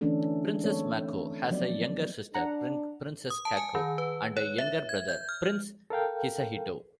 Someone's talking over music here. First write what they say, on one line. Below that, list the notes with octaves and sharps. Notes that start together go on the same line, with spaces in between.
Princess Mako has a younger sister, Princess Kako, and a younger brother, Prince Hisahito.
D3 E3 A3 C#4 D4 A4
A3 C4 A4 C#5
F3 F#3 B3 D5
D4 F#5 A#5
D#6
A5
G#5
D#3
B4
C#5
E5
G#6
G6
F6
A4 A#4 F5 G5